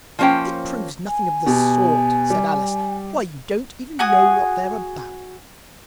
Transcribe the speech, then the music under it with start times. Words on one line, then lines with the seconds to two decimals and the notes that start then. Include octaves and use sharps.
'It proves nothing of the sort!' said Alice. 'Why, you don't even know what they're about!'
0.19 F3 A#3 C#4 C5 G5
1.07 G#5
1.46 B2 G4
2.30 G3
3.99 F#4 G#4 G#5 D#6